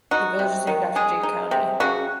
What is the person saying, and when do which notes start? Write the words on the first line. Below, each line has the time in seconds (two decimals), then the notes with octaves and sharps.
The village is named after Dade County.
0.11 D#4 F#4
0.39 C3
0.67 D#3
0.96 G#3 G#4
1.23 D#4
1.51 C3
1.80 C#3 F#4